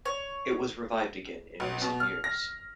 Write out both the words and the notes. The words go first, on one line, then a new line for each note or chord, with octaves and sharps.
It was revived again in recent years.
C#5
B1
B2
F6
A#6